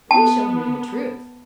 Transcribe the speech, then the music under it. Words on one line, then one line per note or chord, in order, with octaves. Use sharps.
You shall hear the truth.
B3 A5